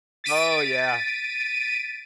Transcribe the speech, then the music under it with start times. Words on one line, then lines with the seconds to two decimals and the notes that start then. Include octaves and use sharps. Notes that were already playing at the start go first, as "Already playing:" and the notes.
Oh, yeah.
0.24 A6 B6 D7 D#7